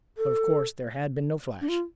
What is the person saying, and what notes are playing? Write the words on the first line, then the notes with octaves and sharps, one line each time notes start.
But of course there had been no flash.
A4
D4
F4